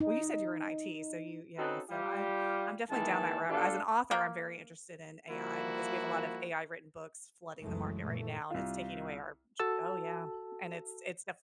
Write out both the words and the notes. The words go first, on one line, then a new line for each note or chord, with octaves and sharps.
Well, you said you were in IT. So you yeah, so I I'm definitely down that rabbit As an author, I'm very interested in AI because we have a lot of AI written books flooding the market right now, and it's taking away our j Oh yeah. And it’s it’s def
D#4
C4 C#4 D#4 F#4 A4 B4
G3 F4 G4
D#3 E3 G#3 A#3 E4 A5
B2 D4 F4 G4 A4
A#3
F3 G3 A#3 E4 F#4
F#1 C#2 E3 F#3 G#3 A3
E2 A#2 E3 A3
C2 F4
F#4 A4 A5 E6